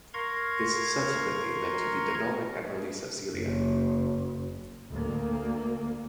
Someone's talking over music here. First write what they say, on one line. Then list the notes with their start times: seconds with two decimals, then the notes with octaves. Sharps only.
This subsequently led to the development and release of Celia.
0.14 A#4 F5 A#5 C6 C#6 G#6
3.37 F#1
4.90 D2 A#3